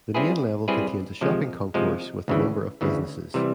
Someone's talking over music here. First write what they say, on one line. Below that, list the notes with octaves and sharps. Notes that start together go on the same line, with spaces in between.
The main level contains a shopping concourse with a number of businesses.
G3 C4 E4 G#4 B4
G3 C4 E4 G#4 B4
C3 F3 G#3
C3 F3 G#3
D2 C#3 E3
D2 C#3 E3
C3 E3 G3